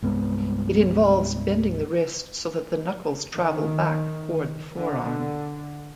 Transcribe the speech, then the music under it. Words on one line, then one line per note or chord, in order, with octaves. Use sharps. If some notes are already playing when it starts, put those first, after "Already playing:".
It involves bending the wrist so that the knuckles travel back toward the forearm.
C2 G2 G#3 B3
D#3
D3